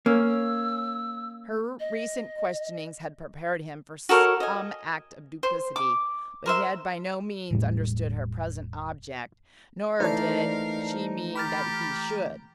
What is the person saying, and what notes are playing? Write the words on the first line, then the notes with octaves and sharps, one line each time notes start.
Her recent questionings had prepared him for some act of duplicity, but he had by no means understood her present object, nor did she mean that he should.
A#3 C#4 E6
D#5
F#4 A4 A#4 C#5
D#5 G#5
C5
D6
A#4 C5 E5
E1 A2 G3
E3 A3 D#4 A#4 C5 D5 F5 A5
G4 A#5 B5 F6 A6